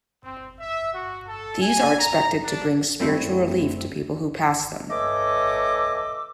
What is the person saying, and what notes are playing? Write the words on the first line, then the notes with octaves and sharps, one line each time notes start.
These are expected to bring spiritual relief to people who pass them.
C4
E5
F#4
A4
G#5
A#5
D4
F#2 G3 A3 C4 E4
E3 A3 C#5 D#5 D6 E6